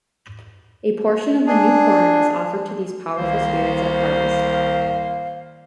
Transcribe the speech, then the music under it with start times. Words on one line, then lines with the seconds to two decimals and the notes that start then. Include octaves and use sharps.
A portion of the new corn is offered to these powerful spirits at harvest.
1.47 D4 G#4
3.16 C2 D#3 A#3 C5 F5